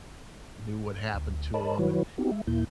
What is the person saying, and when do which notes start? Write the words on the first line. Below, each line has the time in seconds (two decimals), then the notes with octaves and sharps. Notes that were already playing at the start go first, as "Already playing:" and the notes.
knew what happened to him, and,
1.14 D2
1.54 A#4 C#5 D#5 A5 B5
1.79 D#3 F#3 E4 F#4 B4 C#5
2.18 B3 C4 D#4 F#4 G4
2.31 G#3 E5
2.47 D#2 A#2 A#3 E4 G6